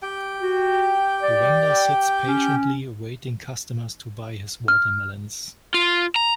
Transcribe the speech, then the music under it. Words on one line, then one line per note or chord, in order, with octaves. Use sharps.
A vendor sits patiently awaiting customers to buy his watermelons.
G4 G5
F#4
D5
C#4
F6
F4
A#5